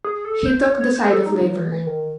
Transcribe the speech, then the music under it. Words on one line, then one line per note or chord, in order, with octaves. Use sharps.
He took the side of labor.
G#4
A4
C5
C#5
C#5
C5
A4
D#4
F#3
E3
E3
D#3